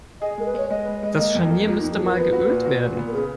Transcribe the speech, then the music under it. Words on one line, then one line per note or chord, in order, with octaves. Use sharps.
Das Scharnier müsste mal geölt werden.
G#4 D#5
G#3 A#4
B4
G#3 C#5
G#3 D#5
B4
G#3
A#3
F2
A#3
A#3 F4
D#4
F2
G#4
F3 A#4
B3 B4
F#4
A#2
F#4
A#2
B3
A#4
C#3 G#4